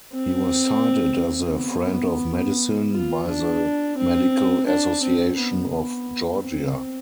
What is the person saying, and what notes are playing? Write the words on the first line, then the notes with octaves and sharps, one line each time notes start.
He was cited as a "Friend of Medicine" by the Medical Association of Georgia.
C4
B3
F4
D4
C4
D4
C4
B3
B3
C4